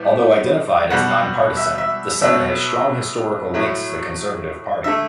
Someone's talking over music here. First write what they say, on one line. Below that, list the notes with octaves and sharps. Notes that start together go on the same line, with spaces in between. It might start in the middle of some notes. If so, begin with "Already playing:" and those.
Although identified as non-partisan, the Centre has strong historical links to the Conservative Party.
Already playing: A2 G3 B3
B2 G3 B3 F#5
E5
E5
B2 F#3 B3 E5
A2 F#3 A3
D3 A3 E5